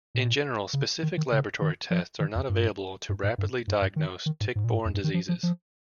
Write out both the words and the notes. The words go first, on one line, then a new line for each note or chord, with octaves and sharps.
In general, specific laboratory tests are not available to rapidly diagnose tick-borne diseases.
A#2
C#3
D#3
D#3
C#3
D#3
F3
D#3
F2
G2
G2
G#2
G2
G2
G2
D#3
D#3
G#2
G#2
A#2
G#2
F2
G2
D#3
F3
F3
F3